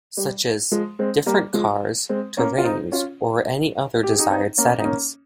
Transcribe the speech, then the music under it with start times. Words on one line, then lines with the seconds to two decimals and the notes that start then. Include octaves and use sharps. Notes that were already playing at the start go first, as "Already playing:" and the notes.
Such as; different cars, terrains or any other desired settings.
0.17 G3
0.72 F3 G#3
0.99 G#3 C4
1.26 G3 A#3
1.54 F3 G#3
2.09 G#3 C4
2.37 A#3 C#4
2.58 F4
2.64 C4 D#4
2.92 C#4 F4
4.03 G4
4.11 G#4
4.19 D#4 G4
4.30 C4 D#4
4.58 A#3 C#4
4.79 D#4
4.85 A#3 C#4